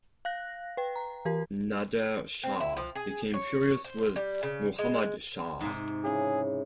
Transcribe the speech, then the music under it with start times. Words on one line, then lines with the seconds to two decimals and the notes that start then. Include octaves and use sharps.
Nader Shah became furious with Muhammad Shah.
0.25 F5 F#6 A#6
0.77 B4 G5
0.96 A#5
1.25 E3 G4 A#4
2.43 C4
2.60 E4
2.77 F3
2.95 G#4
3.34 C#5
3.84 C5
4.16 G3
4.43 C#3
4.78 G#3
5.61 G#2 C3
6.04 C#3 E3 G#4